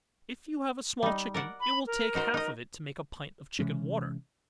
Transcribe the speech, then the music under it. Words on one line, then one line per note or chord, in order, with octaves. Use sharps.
If you have a small chicken, it will take half of it to make a pint of chicken water.
G3 D#4
A#4 D5 F#5
B5
A#4
D#4 F#4 C5
D#4 D#5
C3 E3 G#3 C#4